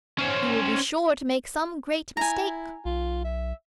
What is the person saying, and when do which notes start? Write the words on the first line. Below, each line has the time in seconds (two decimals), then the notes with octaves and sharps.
You will be sure to make some great mistake.
0.18 C#4 C5
2.17 E4 G#5 A#5
2.85 B1 F4
3.25 E5